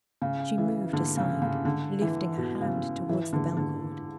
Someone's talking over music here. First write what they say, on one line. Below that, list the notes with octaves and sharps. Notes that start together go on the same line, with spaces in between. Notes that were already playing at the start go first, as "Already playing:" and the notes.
She moved aside, lifting a hand toward the bell-cord.
C#3
E3
D3
C#3
C#3
D3
E3
B2
C#3
E3
D3
D3